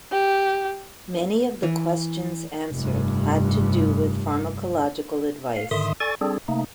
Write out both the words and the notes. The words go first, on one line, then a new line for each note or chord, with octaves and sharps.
Many of the questions answered had to do with pharmacological advice.
G4
E3
F1 G2
F5
G#2 D3 D#3 E5 C6 D#6
A4 D5 G#5 C#6 A6
G3 C4 D4 G#4 A4
C3 A3 A#3 D#4